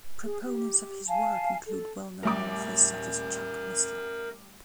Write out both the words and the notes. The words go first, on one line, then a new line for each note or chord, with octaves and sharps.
Proponents of his work include well-known authors such as Chuck Missler.
G#4
G4
F5 G#5 A5
A4
A1 G3 A#4 E5 D6